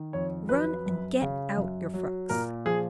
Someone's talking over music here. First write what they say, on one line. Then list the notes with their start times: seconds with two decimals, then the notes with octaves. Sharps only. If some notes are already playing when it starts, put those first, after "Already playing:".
Run and get out your frocks.'
Already playing: D#3
0.13 F2 C#5
0.49 F#3 B4
0.86 F#2
1.22 C#3
1.57 F#2
1.94 F#3
2.29 A#2 A#4
2.66 F3 G#4